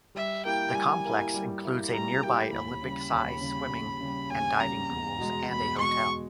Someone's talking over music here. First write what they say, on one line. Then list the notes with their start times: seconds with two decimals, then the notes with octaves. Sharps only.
The complex includes a nearby Olympic size swimming and diving pools and a hotel.
0.15 G3 E5
0.45 A#3 E4 G4 G5
0.74 G3 G#5
1.05 A#3 E4 G4
1.34 G3
1.63 A#3 E4 G4
1.93 G3 A#5
2.23 A#3 E4 G4 G5
2.52 D#2 B5
2.82 C#3 G3
3.12 D#2
3.41 C#3 G3
3.70 D#2
4.01 C#3 G3
4.30 D#2 G#5
4.60 C#3 G3 A#5
4.89 E2
5.18 B2 G#3
5.49 E2 B5
5.78 B2 G#3 C#6